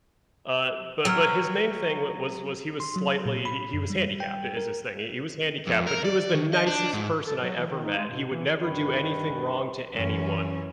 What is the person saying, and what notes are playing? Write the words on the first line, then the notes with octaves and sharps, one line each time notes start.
Uh, but but his main thing w was was he was slightly he he was handicapped i is his thing. He he was handicapped, but he was the nicest person I ever met, he would never do anything wrong to anyone
F#3 G5 E6 F6
C6
F#3
A#2
B5
F#2
G3
G5
A#4
F2
A#4
D5
D#3
D#5
D4
G#2
A4
F#3
E3
D#3
D#4
G#3
B2
E3
G2 D#3 B4
F#2 E3 C#4